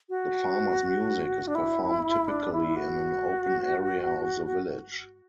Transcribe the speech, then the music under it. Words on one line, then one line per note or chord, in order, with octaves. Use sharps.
The farmers' music is performed typically in an open area of the village.
F#4
D4
E4
D4
E4
F#4
F#4